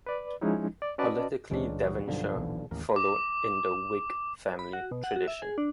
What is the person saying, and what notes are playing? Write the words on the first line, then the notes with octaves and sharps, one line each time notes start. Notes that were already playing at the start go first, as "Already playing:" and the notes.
Politically Devonshire followed in the Whig family tradition.
B4 D5
F3 G#3 C#4 D#4 E4
D5
C#4 F#4 B4 D5 D#5 A5
C#2 A#2 E3 G#3 C#4 D4
G3 F#4
B1 G2 B2 D3 F3
D1 A#1 E3
A1 D#2 A#4
D6
B5
F#4
B2
F#5
F#4
E5
G#4
D4